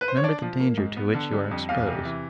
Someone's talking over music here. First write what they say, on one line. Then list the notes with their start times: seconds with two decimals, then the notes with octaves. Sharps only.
Remember the danger to which you are exposed.
0.01 B4
0.08 C5
0.17 C#5
0.23 D4 D5
0.42 F3
0.60 A#3
0.78 G#2
0.97 B3
1.14 D3
1.32 G3
1.51 F2
1.69 E2 F5
1.87 C3
2.05 E3